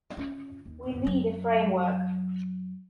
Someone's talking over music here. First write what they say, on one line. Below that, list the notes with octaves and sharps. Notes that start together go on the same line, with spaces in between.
We need a framework.
C#4 F4
D#2
F#2 F#3